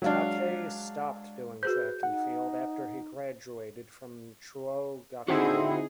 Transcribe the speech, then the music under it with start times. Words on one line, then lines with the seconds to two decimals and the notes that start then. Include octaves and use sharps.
Takei stopped doing track and field after he graduated from Chuo Gakuin.
0.02 F#3 G#3 D4 F5
1.63 F#4 G#4 B4 C5 G6
2.03 D#4 F#5
5.28 D3 C4 D#4 E4 F#4 G#4 C5 F#5